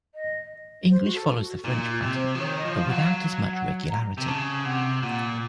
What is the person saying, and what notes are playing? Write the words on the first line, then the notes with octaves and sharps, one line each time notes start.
English follows the French pattern, but without as much regularity.
D#5
C5
F#4
A4
F#4
A#2 D#4
F4
C3
C5
F3
D#3 C#5
C#5
D#5
F3
F5
F#3 F#5
F5
F5
F#5
A#5
C3
C#3 A5
C3 F#5
A#2 F#5